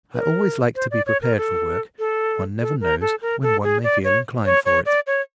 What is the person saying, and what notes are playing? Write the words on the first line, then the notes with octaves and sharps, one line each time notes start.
I always like to be prepared for work; one never knows when one may feel inclined for it.
B4
A#4
C5
D5
C#5
A#4
A4
A4
A4
A#4
A4
A#4
A4
G#4
D5
C#5
C#5
C#5
D5
C#5